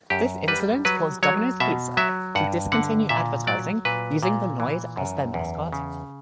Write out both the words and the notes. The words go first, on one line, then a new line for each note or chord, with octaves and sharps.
This incident caused Domino's Pizza to discontinue advertising using the Noid as their mascot.
F#2 G4
G3 B4
F#3 B4
F#3 C#5
B2 E5
F#3 E5
G2 F#5
D3 F#5
A#2 E5
F#3 D5
A#2 B4
A#2
E3
F#2
E2
C#3